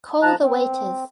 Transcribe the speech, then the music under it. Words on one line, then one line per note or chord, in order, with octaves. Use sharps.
Call the waiters!
F3 A5 A#5 F#6
C4